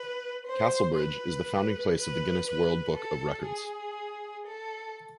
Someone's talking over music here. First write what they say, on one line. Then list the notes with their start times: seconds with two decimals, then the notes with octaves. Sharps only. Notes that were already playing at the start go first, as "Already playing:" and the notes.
Castlebridge is the founding place of the Guinness World Book of Records.
Already playing: B4
0.46 C5
0.96 B4
1.97 B4
2.46 B4
2.96 A4
3.46 G#4
4.46 A4